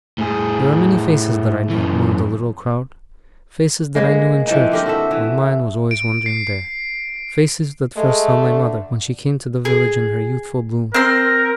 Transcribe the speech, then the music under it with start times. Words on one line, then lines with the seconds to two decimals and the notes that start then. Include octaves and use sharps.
There are many faces that I know, among the little crowd; faces that I knew in church, when mine was always wondering there; faces that first saw my mother, when she came to the village in her youthful bloom.
0.18 A2 G#4
1.70 F#2 E3
3.95 G#3 A#3 G#4 B4
4.47 E3 F3 C4 D#4
4.72 D3 G4 A#4
4.86 F#4 A4 E5
5.11 E3
5.91 D7
6.26 C7
7.96 G#3 A3
8.41 D3
9.65 G#4
10.94 C4 A#4 C6